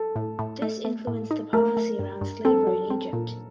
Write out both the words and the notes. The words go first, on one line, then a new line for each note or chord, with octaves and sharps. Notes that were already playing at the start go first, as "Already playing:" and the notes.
This influenced the policy around slavery in Egypt.
Already playing: A4
A2
A2
A3
A3
A2
D#4
A3 A#4
A3
G2
G2
C4 A4
F#3
C4
A#2